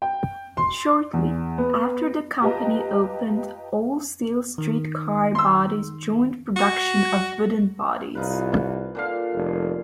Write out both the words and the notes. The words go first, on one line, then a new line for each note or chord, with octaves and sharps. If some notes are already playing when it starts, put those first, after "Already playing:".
Shortly after the company opened, all-steel streetcar bodies joined production of wooden bodies.
G5
C6
E2
B3
F4 G4 B4 D#5 A5 A#5
D#3
C6 E6
F#4
C2 D#4 F4 B4
A#2 D3 F5
F1